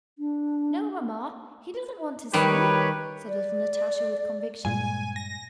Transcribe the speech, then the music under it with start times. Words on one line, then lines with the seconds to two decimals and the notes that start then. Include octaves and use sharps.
"No, Mamma, he doesn't want to sleep," said little Natasha with conviction.
0.19 D4
2.34 D#3 G3 G4 B4 C#5
3.28 D5
4.65 G2 A#2 G#3 G#5
5.16 A#6